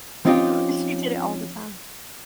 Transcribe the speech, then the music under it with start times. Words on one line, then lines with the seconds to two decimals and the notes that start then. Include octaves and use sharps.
Well, she did it all the time.
0.25 F3 C4 C#4 D#4 F4 G4